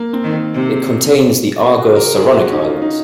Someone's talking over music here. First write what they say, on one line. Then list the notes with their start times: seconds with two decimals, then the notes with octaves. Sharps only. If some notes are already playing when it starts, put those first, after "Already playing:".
It contains the Argo-Saronic Islands.
Already playing: A#3
0.13 C4
0.24 D#3
0.54 C3
1.71 G#4
1.75 C#3 F#4
1.96 A#4
2.16 G#4
2.37 F#4
2.47 C#4
2.53 D#4
2.67 F4
2.82 D#4